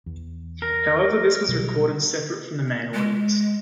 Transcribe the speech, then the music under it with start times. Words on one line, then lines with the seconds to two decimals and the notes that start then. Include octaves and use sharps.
However, this was recorded separate from the main audience.
0.06 E2
0.62 A#4
1.49 B2 F#3 G3
2.94 G#3